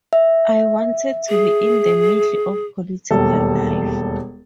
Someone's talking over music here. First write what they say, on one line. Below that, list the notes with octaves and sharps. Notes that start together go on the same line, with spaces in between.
I wanted to be in the middle of political life.
E5
G#4
E1 D#2 G3 A4